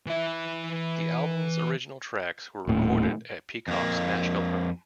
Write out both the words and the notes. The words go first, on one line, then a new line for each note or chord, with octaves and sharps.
The album's original tracks, were recorded at Peacock's Nashville home.
E3 E5
D#1 A2
F2 A#3